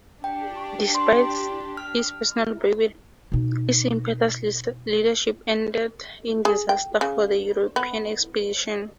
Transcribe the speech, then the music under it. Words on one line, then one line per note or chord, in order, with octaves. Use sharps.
Despite his personal bravery, his impetuous leadership ended in disaster for the European expedition.
D4 G4 G5
C6
F6
B2 D#4
G#4
G5
C#3
B3